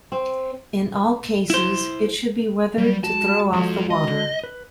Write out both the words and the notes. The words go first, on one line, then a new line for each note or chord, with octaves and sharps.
In all cases it should be weathered to throw off the water.
C4
E4 C5
F#3 G3
G#3 F#4 A5
F2 F3
D#5
B4